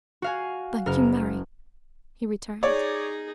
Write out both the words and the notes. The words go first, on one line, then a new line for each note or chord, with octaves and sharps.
"Thank you, Mary," he returned.
F#4 F5 G#5
F#1 A#4 F6
D#4 G#4 C#5 D5